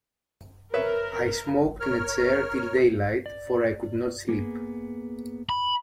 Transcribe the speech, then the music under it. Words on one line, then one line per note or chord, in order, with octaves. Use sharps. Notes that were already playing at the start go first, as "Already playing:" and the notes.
I smoked in a chair till daylight, for I could not sleep.
A#4 B4 C#5 E5
A#4 C#5 F6
D5
A#3 B3 G#4
B5